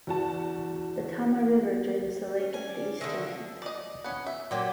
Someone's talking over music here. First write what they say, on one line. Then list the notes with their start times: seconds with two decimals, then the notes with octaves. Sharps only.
The Tama River drains the lake at the eastern end.
0.07 E2 F#4 A5
2.39 C#4
2.54 G#5
2.69 D5
3.01 D3 D#3 E5
3.62 D5 D#5
4.04 B3 C#4
4.26 E5
4.51 A#2 F#3 G4